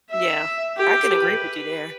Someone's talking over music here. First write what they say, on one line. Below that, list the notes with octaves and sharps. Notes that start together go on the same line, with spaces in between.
Yeah, I can agree with you there.
E5
G4
B4